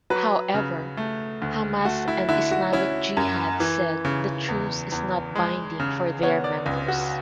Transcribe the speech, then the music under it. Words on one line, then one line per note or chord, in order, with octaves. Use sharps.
However, Hamas and Islamic Jihad said the truce is not binding for their members.
F#3 B4
C#3
A3
D2
A3 F#4
E4
D3 E4
F#4
C#4 E4
F#2
E3
C#3
E2
E2
G#3
C#3
B3 C#5
D5
C#2
F#4